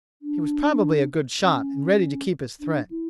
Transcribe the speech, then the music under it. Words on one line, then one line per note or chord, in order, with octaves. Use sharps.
He was probably a good shot, and ready to keep his threat.
D4
C#4
D4
E4